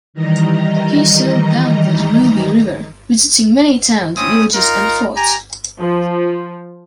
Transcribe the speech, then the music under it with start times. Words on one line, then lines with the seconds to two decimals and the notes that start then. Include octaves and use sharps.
He sailed down the Danube river, visiting many towns, villages and forts.
0.14 D#3 E3 G3 D#5 A#5
4.16 C4 C#4 E4 D#6
4.54 D#4 F4 A#4
5.16 G4 G#5 A#5
5.80 F3